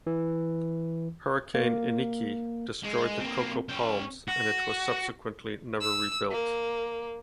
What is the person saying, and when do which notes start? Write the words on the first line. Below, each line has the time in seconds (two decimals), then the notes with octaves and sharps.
Hurricane Iniki destroyed the Coco Palms and it was subsequently never rebuilt.
0.07 E3
1.54 A#3
2.84 G#3
3.20 A#3 C4
3.69 C#4 G5
4.28 F#4
5.81 E6
6.31 A#3